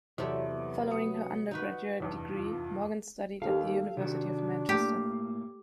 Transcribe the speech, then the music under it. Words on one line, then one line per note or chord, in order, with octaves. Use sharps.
Following her undergraduate degree, Morgan studied at the University of Manchester.
E2 C3 F#3 E4 A4 D5
F#3 B3
D#6 C#7
D#4 F#4 B4
F1 E2 G2
F4
D#2 G4 A4 F5
C3 D#3 D4 F#4
A2 A3 A#3 G4